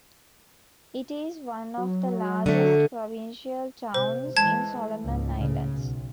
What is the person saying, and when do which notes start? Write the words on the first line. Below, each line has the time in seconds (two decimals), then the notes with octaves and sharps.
It is one of the largest provincial towns in Solomon Islands.
1.78 F#3
2.46 D3 A3
3.94 C3 C5
4.37 E3 G#3 A5 G#6
5.03 C#2 G#2
5.38 A2 C#3
5.73 B1